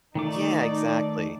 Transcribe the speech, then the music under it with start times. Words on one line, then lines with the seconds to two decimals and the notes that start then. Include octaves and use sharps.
Yeah. Exactly.
0.15 D#3 A3 D#4 D5 D6